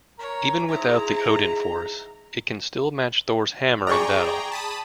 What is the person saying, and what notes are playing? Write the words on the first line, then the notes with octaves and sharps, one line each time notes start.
Even without the Odin Force it can still match Thor's hammer in battle.
A#4 C#5 A#5
G#2 E4 A#5
G#4 D5 G5 A#5 C#6
A5 B5 D#6